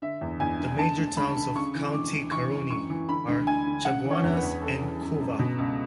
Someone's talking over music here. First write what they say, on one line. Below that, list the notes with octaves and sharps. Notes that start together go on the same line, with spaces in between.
The major towns of County Caroni are Chaguanas and Couva.
D3 E5
E2
E2 G#5
D3
D3 A5
D2
D2 B5
D3
C#3 C#6
E3
D2 D6
D2
E3 C#6
F#2
F#2 C#6
E3
D3 B5
D2
D2 G#5
D3
C#3 F#5
E3
C#5
E2
B4
E2
C#3 A4
E3
F#2
F#2
B2
C#2